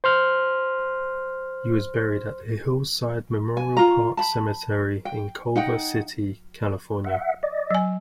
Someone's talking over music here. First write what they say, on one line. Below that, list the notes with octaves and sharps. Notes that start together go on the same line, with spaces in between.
He was buried at the Hillside Memorial Park Cemetery in Culver City, California.
C5 C6 F6
G#5
F4 A#5
A5 B5
G5
D#4 F#5 G5
E5 F#5
D5 D#5
F#3 G#5